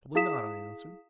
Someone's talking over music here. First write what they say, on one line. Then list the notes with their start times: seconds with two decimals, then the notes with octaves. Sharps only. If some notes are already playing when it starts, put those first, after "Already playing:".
"Probably not," I answered.
0.15 E4 G#4 F5 D#6 B6 E7